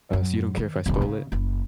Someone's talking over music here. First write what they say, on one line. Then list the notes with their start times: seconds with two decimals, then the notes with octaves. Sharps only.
Uh, so you don't care if I spoil it?
0.13 F#2
0.57 D#3
0.86 E1 D3
1.02 C#3
1.32 F#1 E4